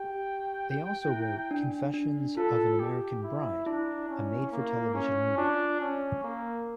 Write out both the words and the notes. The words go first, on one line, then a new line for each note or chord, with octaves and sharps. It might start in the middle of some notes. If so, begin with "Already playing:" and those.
They also wrote "Confessions of an American Bride", a made for television movie.
Already playing: G4 G5
E4
D4
D4
F4 A4
G4
E4
D4 E4
C#4
A#3
C#4
D4 F4
C#4
A#3 A#4